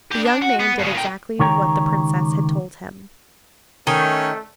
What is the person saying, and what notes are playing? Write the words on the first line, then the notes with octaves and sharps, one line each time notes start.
The young man did exactly what the princess had told him.
D4 G4
D4
F#4 F#5
B3
G2 C#3
A#2 G5
C#2 D#3 G4 C#5 G5 A#5
D#3 A3 C#4